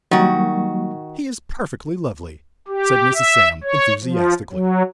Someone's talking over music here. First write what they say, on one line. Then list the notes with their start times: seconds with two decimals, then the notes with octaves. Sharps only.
"He is perfectly lovely," said Mrs. Sam, enthusiastically.
0.11 D#3 F#3 G3 A#3 F#4
2.68 G4
3.14 E5
3.63 C#5
4.03 F3
4.52 F#3